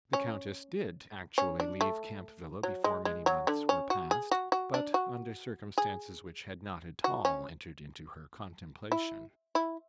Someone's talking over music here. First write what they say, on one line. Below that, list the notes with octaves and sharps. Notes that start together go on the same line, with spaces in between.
The Countess did actually leave Camp Villa before many months were past, but under circumstances which had not at all entered into her contemplation.
C#4
C#4
D4
A3
F#3
G#3
G#3
F#3
D3
C#4
F#4
G#4
F#4
F#4
D4
F#4
G#4
F#4
C#4
E4
E4